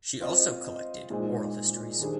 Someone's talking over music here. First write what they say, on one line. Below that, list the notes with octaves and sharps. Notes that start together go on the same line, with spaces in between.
She also collected oral histories.
C4 F4 C5 D#5
A#2 G#3 D#4 G#4 C5
D#3 G3 D4 G#4 C5